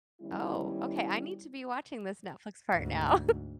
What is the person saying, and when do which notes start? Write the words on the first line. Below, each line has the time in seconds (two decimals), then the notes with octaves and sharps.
Oh, okay. I need to be watching this Netflix part now.
0.21 D#3 G3 B3 C#4 E4
2.73 D2 G#2